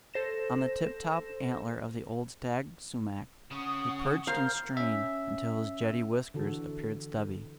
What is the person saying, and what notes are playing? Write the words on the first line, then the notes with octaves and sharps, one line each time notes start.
On the tip-top antler of the old stag sumac, he perched and strained until his jetty whiskers appeared stubby.
A4 C5 A#6 E7
C#3 C#4 F#5 C#6 D#6
A#4 C5 F5
C#4 E5
D3 E3 F#4 A4